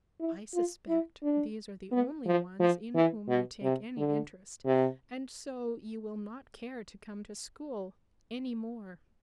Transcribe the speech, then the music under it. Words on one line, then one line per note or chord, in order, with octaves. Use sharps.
I suspect these are the only ones in whom you take any interest, and so you will not care to come to school any more.
E4
F4
E4
D4
B3
F3
F3
E3
B2
C3
D3
C3